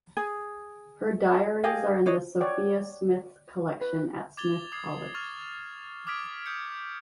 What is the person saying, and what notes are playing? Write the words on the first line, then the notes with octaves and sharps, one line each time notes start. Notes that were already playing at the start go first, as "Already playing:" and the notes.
Her diaries are in the Sophia Smith Collection at Smith College.
G#4
G4 G#4 D#5 F5
D4 C#5 D#5
C#5 D5 F#5 G5
B4
D6 G#6 A6 F7 G7
D6 D#6 G#6 C7
C#6 F6 A6 F7
D6 D#6 F6 G#6 B6 D7
D#6 G6 C#7